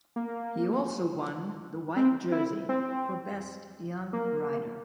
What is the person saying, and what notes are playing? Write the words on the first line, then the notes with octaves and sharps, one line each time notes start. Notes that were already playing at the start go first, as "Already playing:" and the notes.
He also won the White Jersey, for best young rider.
A#3
C4
E4
C4
A#3